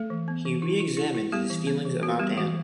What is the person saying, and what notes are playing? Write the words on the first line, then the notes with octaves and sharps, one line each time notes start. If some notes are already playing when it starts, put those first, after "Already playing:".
He re-examines his feelings about Anne.
Already playing: A3 A4
E3
B3
E3
E4
E4
E4
E4
G3 B3 G4
E3
B3
E3
B3 F#4
G3 B3 G4
E3 F#4